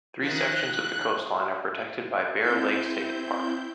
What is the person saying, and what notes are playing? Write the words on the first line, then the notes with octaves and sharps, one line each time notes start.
Three sections of the coastline are protected by Bear Lake State Park.
D#3 F3 F#6
C4 E4 G6